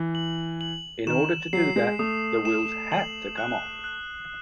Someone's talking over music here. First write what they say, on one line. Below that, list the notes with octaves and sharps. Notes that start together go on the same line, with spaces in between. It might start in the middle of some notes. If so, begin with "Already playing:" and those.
In order to do that, the wheels had to come off.
Already playing: E3
F#7
F#7
D#3 E7
F#3 C7
G#3
A3 D#6
E7
F#7
F#6
F#6